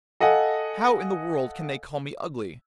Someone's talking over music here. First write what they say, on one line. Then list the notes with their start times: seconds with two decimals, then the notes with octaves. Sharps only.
How in the world can they call me ugly?
0.20 A4 D#5 F5 F#5 G#5